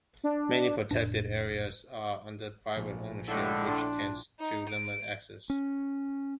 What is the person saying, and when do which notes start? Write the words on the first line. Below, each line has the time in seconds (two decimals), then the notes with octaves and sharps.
Many protected areas are under private ownership, which tends to limit access.
0.24 D4
0.91 F1 A2 D4
2.76 A#1
3.28 A2 D3 G#3 E4
3.66 D4 G5 C6 D6
4.39 D#4
4.69 D7
5.50 C#4